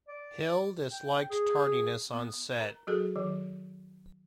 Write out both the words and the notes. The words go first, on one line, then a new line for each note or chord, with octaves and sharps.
Hill disliked tardiness on set.
D5
G5
G#4
B3
A#4 A#5
F#3 F#4 G#4 A4
D#3 F#3